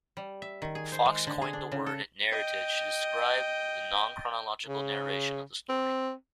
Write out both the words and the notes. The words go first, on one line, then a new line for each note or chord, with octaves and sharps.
Fox coined the word "narratage" to describe the non-chronological narration of the story.
G3
E5
D#3
G#4
C5
G#3
D3
G#4
D4
C#3
A4
D#5 G5
C#3
C4